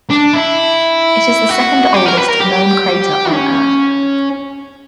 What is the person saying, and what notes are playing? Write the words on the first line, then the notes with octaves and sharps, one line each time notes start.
It is the second-oldest known crater on Earth.
D4
E4
F#4
G4
A#4
B4
A#4
G4
C#4